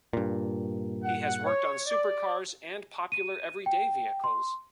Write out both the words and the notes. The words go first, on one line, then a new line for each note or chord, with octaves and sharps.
He has worked on supercars and popular everyday vehicles.
G2 A#2
F#5
C#5
D5
D#7
G5
C6